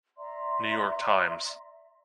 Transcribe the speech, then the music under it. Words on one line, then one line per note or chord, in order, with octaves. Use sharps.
New York Times.
D5 E5 A#5 C6